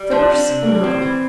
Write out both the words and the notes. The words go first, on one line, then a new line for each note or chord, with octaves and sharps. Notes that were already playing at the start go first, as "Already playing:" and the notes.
Clippurse and Hookem.
Already playing: G3
F3 D4
C4
C3
G3
A2 C4
E3